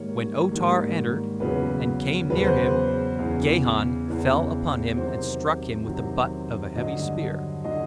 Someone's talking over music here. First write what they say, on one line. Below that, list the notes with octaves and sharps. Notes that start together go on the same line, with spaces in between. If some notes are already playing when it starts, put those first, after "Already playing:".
When O-Tar entered and came near him Gahan fell upon him and struck him with the butt of a heavy spear.
Already playing: G#2 D#3 G3 A#3 C#5
G#2 D#3 G3 A#3
E2 C#3 F#3 B4
E2 C#3 F#3 B4
C5
B4
E2 C#3 E3
E2 C#3 E3
C3 D#3 F#3 C5
C3 D#3 F#3
G2 D3 F#3 D#5
D3 F#3 D#5